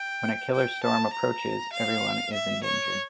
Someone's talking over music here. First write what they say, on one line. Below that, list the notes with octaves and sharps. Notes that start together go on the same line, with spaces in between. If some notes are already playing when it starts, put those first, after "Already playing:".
When a 'killer storm' approaches, everyone is endangered.
Already playing: G5
G5
A5
A#5
F5
E5
C#5